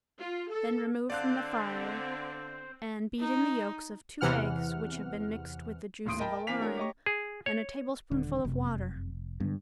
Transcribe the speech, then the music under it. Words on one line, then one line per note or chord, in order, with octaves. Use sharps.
Then remove from the fire and beat in the yolks of two eggs which have been mixed with the juice of a lime and a tablespoonful of water.
F4
A4
D3 C4 C5 D5 F5 F#6
D#4
E2 C3 E3 F#5 F6
D#1 D#2 A2 C6 D#6 D7
A#4 D#5 G5 A5 B5
E3 C4 F5 G#5 B6 F7
A3 D4 F#4 A#4 C#5
G4 C#5 D#5 A#5 C#6
G#4
C#5
D#1 D3
F1 F#2 C3
G2 D3 G#3 B3